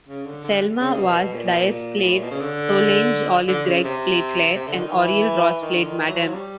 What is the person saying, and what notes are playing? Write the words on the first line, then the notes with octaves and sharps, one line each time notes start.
Selma Vaz Dias played Solange, Olive Gregg played Claire, and Oriel Ross played Madame.
C#3
D3
D3
C#3
B2
A#2
B2
A#2
A#2
A2
A#2
B2
C#3
D3
D3
C#3
C3
C3
D3
D#3
E3
D#3
D3
D#3
E3
F#3
F3
F#3
G3